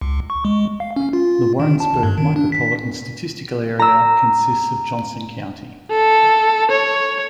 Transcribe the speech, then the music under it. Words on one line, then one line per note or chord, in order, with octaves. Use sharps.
The Warrensburg Micropolitan Statistical Area consists of Johnson County.
C#2
C#6
G#3
F5
C#4
F4
D#3
A5
G2
D#3
D4
B6
A#5 E6
A4
C#5